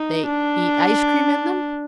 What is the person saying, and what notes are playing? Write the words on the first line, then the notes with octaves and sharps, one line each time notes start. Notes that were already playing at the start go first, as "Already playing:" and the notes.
"They eat ice-cream in them?"
Already playing: D#4
D4